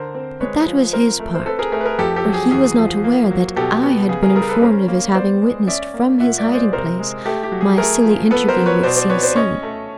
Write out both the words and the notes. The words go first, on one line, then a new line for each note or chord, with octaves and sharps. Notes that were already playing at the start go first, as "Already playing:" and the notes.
But that was his part, for he was not aware that I had been informed of his having witnessed from his hiding- place my silly interview with C---- C----.
Already playing: D3 A#4 C5
C4
G#3 B4 C#5
F3
C4 A#4 C5
A3
C5
C4 A4 B4
G#4 A#4
A3 G#4 A#4
B4
G#4 A#4
F2 G4 A4
G4 A4
F#3
G#4
E2 G#4
F3
A#3
F#3
B2 G4 A4
B3
C#3 G#4
G#4 A#4
G3 G#4 A#4
A4 B4
C#4 A#4 C5
A#3
B3 C5 D5
G#3
C#4 D5 E5
A#3
A#2 E5 F#5
D5 E5
G#3
C5 D5
C3 A#4 C5
G#3
A3 G4 A4
G4
F#3
G#4
A3 G#4 A#4
F3
B3 A4 B4
A#4 C5
F#3
B4 C#5
B2 C5 D5
C5 D5
C4 B4 C#5
C5 D5
C#4 C#5 D#5
A3